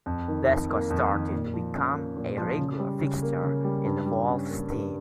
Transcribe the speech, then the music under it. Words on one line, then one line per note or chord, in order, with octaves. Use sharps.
Lescott started to become a regular fixture in the Wolves' team.
F2
D#3
F2
A#3
F2
D#3
A#2
F3
C#4
A#3
A#2
F3
C#3
G3
C#3
A#3
C#3
G3
G2
G3
C#4
A#3
G2